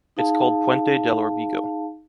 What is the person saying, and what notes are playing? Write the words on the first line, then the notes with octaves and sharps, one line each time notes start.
It's called Puente del Órbigo.
D#4 G#4 F5 A5